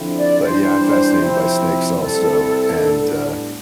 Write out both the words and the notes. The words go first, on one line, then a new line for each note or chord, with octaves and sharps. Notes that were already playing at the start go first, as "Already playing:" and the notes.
but, yeah, I'm fascinated by snakes also, and, uh
Already playing: D3 F3 C4 E4
D5
E3 G3 D4 C5
C3 F3 C4 E4
C3 G3 C4 E4 A4
A2 G3 B3 D4